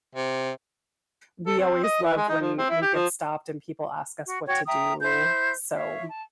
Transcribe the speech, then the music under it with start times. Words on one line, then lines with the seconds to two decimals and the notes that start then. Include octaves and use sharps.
we always love when we get stopped and people ask us what to do. So,
0.15 C3
1.47 A4
1.59 C4
1.83 D#5
2.03 E3
2.17 G#3
2.29 D#4
2.41 F3
2.58 C4
2.70 E4
2.82 G4
2.95 F3
4.25 F#4
4.46 F#4 C#5 G5
4.66 E5 G5 A#5 D#6
5.02 E4 C5 G6
5.74 C#5 E5 F5
6.07 A5